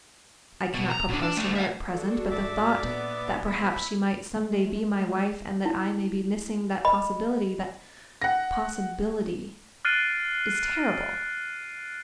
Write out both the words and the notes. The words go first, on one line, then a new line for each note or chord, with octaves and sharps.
I cannot propose to her at present, but the thought that perhaps she might someday be my wife and that I may be missing that possibility... that possibility... is terrible.
B2
A#5
B2 D4
D4
D2 A3
E5 F#5
G#3 D4 F#4 A4
G#2 D5 E5 D6
A#2 B3
E4 E5
G#3 A3
E4
D#5 B5
F#5 A#6
F6 F#6 A6 C7 D7 D#7